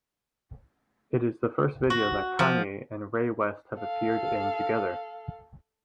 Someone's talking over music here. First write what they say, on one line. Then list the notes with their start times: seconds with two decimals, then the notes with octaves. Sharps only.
It is the first video that Kanye and Ray West have appeared in together.
1.90 F#4
2.39 F3
3.78 A4 F5